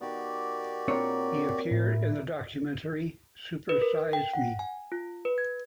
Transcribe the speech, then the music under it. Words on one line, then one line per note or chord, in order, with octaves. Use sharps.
He appeared in the documentary "Super Size Me".
D#3 B3 F#4 G4 D5
A#2 C4 D4 A#4 C#5 F#5
A2 E4
B4
A#4
G5
F#5
G#5
F4
B4
G#6